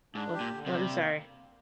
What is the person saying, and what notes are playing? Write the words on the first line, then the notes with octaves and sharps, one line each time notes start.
oh, I'm sorry,
G#2 D4
G4
A#2
D3
C3
G3
A#3